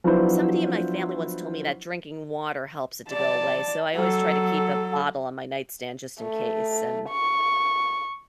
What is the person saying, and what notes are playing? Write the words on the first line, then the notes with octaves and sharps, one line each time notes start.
Somebody in my family once told me that drinking water helps it to go away, so I always try to keep a bottle on my nightstand just in case, and
F3 F#3 B3 D4 E4 C5
D5 A5
F#3 A4
A3
C#6